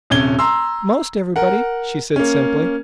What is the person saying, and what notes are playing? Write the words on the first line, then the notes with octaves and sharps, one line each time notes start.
"Most everybody," she said simply.
D#1 C3 C#4 G#6 G7
A#5 C6 E6
A#4 F#5
A#3 C#4